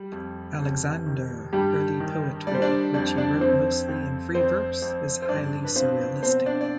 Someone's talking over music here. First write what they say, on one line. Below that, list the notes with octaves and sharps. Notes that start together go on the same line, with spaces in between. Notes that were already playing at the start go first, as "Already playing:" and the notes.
Aleixandre's early poetry, which he wrote mostly in free verse, is highly surrealistic.
Already playing: G3
F2
F2
D#3
G2 G3 G4
D#3
G3 D5
C5
D4 D5
F2 D5
D4 D5
F2 C4 C5
F2
F2 C4 C5
F2
C5
G2 D4 D5
B4
F3 C4 C5
B2 C4 C5
D4 D5
D5